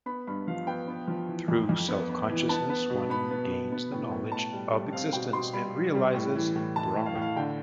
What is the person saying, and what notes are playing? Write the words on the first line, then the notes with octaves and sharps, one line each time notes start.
Through Self-consciousness one gains the knowledge of existence and realizes Brahman.
B3 B5
G2 B5
F3 F5
B3 G5
B3
F3
E3
F2
F2
B3
B3
E3
B3 A5
B3
B2
B3 B5
B3
B2
B3
A2
A2
A2 A5
G3
G3
C4 F5
B2 G5
B2 C6
G3 B5
G3
G3
A2
E3
A2
E3 A5
A2
F5
A2
F5
D3 G5